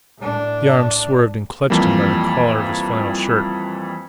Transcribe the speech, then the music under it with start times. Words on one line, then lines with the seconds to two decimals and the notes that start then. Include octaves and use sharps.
The arm swerved and clutched him by the collar of his flannel shirt.
0.18 A2 D4
1.70 F2 E3 F3 G3 A#3